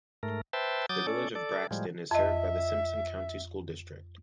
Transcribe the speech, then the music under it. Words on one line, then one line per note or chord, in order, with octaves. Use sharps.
The Village of Braxton is served by the Simpson County School District.
G#2 A3 A#4
B4 C5 E5 G5 A5
F#3 D6 D#6 G6 A6
C#4 A4 D5
A4 D5
A2 F3 G3 G#3
F2 D#5 E5